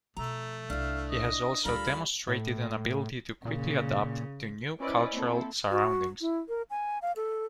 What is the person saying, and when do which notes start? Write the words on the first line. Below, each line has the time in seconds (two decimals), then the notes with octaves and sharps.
He has also demonstrated an ability to quickly adapt to new cultural surroundings.
0.17 B2 F3 A3 A#5
0.70 C2 D4 E4 F5
1.09 D#5
1.65 D2 G3 B3 F4 A4 A#4 B5
2.28 A2
3.45 A#2 C#3
4.80 C#4 E4 B4 C5 D5 D#5
5.14 A#3 C4 E4 A4
5.71 F#4
6.21 E4
6.49 A#4
6.70 G#5
7.02 F5
7.16 A4